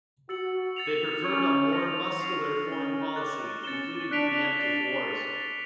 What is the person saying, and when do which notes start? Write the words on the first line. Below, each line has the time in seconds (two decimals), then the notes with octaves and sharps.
They preferred a more muscular foreign policy, including preemptive wars.
0.29 F#4 E6 A6 C#7 F#7
0.76 A6 C#7 F7
1.24 C#4 C#6 F6 G#6
1.72 F6 A#6 C#7 F7
2.20 G#6 C7 F7
2.67 C#4 A6 C7 E7 G7
3.16 D6 F#6 A6
3.63 C#4 A6 C#7 E7 G7
4.11 D4 F#6 B6 D7 F7
4.59 D4 A6 C7 D#7 G7
5.07 A6 C#7 F7